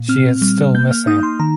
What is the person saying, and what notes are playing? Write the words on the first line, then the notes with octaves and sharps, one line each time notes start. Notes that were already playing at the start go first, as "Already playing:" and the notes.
She is still missing.
Already playing: A#2
C4 F6
G3
A#3 G6
F6
D#4 D#6
C6
D#3 A#5